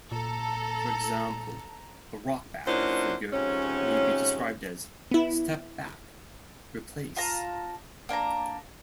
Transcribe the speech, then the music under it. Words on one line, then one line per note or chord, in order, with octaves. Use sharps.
For example, a "rock back" figure may be described as "step back, replace".
A#2 A4 A#5
A#2 F#3 C#4 D4 E4 C5
F2 G#2 C3 C#4
B3 E4
F4 A5 A#5
A#3 D4 G5 A#5